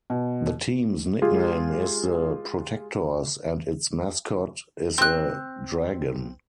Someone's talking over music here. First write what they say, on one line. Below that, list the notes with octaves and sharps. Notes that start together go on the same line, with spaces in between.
The team's nickname is the "Protectors", and its mascot is a dragon.
B2
G#3 F4 G4 G#4
C4 F#6